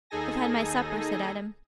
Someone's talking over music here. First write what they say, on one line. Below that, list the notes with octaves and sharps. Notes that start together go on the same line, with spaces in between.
"I've had my supper," said Adam.
D#2 D#4 G#4 A4 G#5 A#6